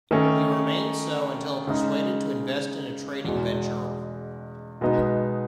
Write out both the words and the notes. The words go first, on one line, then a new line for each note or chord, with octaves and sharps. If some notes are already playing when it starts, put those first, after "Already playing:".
He remained so until persuaded to invest in a trading venture.
D#3 A3 C#4
C#3 G#3 D#4
E2 B2 G#3
B2 G#3 B3 D#4